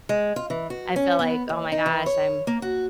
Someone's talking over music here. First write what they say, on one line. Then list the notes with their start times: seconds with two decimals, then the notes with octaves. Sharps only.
I feel like, "Oh my gosh. I'm"
0.09 G#3
0.36 F4
0.50 E3
0.70 F#4
0.96 C#4
1.19 B3
1.49 D#2
1.72 D#4
1.86 E3
2.06 C#5
2.47 A#3
2.62 F#4